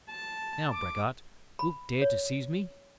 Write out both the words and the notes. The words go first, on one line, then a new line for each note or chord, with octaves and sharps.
"Now, braggart, wilt dare to seize me?"
A5
D6
B5
C#5